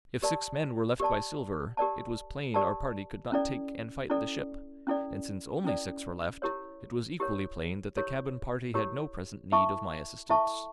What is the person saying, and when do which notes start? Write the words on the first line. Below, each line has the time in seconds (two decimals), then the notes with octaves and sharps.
If six men were left by Silver, it was plain our party could not take and fight the ship; and since only six were left, it was equally plain that the cabin party had no present need of my assistance.
0.22 G4 A#4 D5 A5
1.00 G4 A#4 D5 A5
1.77 G4 A#4 D5 A5
2.54 G4 A#4 D5 A5
3.32 C#4 E4 A4 D5
4.10 C#4 E4 A4 D5
4.87 C#4 E4 A4 D5
5.64 C#4 E4 A4 D5
6.42 E4 G4 A#4 C#5
7.20 E4 G4 A#4 C#5
7.97 E4 G4 A#4 C#5
8.74 E4 G4 A#4 C#5
9.52 E4 A4 E5 A5 C#6
10.29 E4 A4 E5 A5 C#6